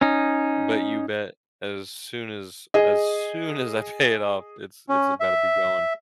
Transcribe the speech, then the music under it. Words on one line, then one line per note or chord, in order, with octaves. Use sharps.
but you bet as soon as as soon as I pay it off it's it's about to be going.
C#4 D#4
G#4 D#5
C#4
E5